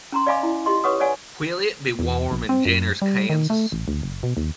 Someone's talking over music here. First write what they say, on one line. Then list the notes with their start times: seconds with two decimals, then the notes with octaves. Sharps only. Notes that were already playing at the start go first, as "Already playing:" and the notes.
Will it be warm in Jenners Kansas?
0.12 C#4 A#5 C6
0.27 D5 D#5 F5 G#5 B5 D6
0.43 E4
0.66 F4 G4 D#5 C6
0.84 B4 C#5 F#5 C#6 D#6
1.00 C#5 D5 F#5 G#5
1.99 E2
2.31 A#1
2.49 C4
2.65 F#2
3.02 G3
3.30 D#3
3.50 A3
3.72 A1
3.88 D2
4.03 F#1
4.23 B2
4.37 D#2